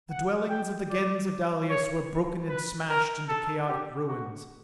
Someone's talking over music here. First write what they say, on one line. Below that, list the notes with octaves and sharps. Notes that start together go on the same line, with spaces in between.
The dwellings of the Gens of Dalis were broken and smashed into chaotic ruins.
F#5
G5
D5
C#5
B4
A#4
A4
G4
F#4